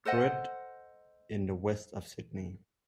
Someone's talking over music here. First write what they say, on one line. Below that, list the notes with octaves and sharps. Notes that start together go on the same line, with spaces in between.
Druitt in the west of Sydney.
A4 C5 D#5 F#5